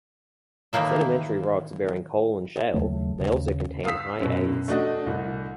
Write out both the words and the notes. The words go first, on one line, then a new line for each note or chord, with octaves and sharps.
Sedimentary rocks bearing coal and shale may also contain high As.
A2 D#3 E3 A#3 E5
D#2 C#3 F#3 A3
D#2 C#3
F5 D#6 E6 B6
F#2 B2
A3 D4 F#4 D#5
C2